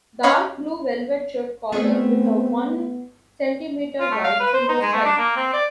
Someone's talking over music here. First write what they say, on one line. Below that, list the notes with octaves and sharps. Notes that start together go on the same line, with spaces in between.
Dark blue velvet shirt collar with a one centimetre wide silver stripe.
C#4 C#5 D#5 F5 B5
A3 B3 C4 F4 G#4
F4
A3
F5
B4
C5
D#4
G#3
A3
D4
A#3
C4
D5